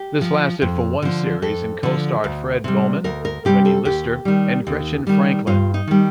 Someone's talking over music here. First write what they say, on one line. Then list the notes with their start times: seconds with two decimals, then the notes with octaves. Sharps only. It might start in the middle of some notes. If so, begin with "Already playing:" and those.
This lasted for one series and co-starred Fred Beauman, Renny Lister and Gretchen Franklin.
Already playing: G4
0.21 F3
0.62 F2
1.02 D3 F3
1.42 F2 A4
1.83 D3 F3
2.24 D2
2.64 C3 G3
3.04 D2 A#4
3.25 A#4
3.45 C3 G3 G4
3.65 A4
3.85 D#2 G4
4.25 D#3 G3
4.67 D#2
5.07 D#3 G3
5.47 G2 F4
5.74 D#4
5.87 D#3 G3